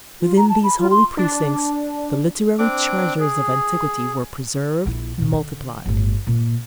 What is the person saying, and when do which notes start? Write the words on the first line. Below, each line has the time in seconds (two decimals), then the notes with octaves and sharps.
Within these holy precincts the literary treasures of antiquity were preserved and multiplied.
0.21 F4
0.37 A#5
0.49 A5
0.64 B5
0.79 F4
0.91 C6
1.17 D4
2.59 C4 D4 D6
3.20 G#4
4.85 A#1 E4
5.18 A#2 C#3
5.33 D3
5.86 G1 A2
6.27 A#2 A#3